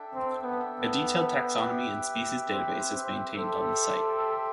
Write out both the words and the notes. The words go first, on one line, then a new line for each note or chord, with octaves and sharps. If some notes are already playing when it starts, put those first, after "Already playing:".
A detailed taxonomy and species database is maintained on the site.
Already playing: D4 A4 E5 G5
C4
B3
B3
G4 B4 E5 G5
C4
C4
G4 A4 C5 E5 G5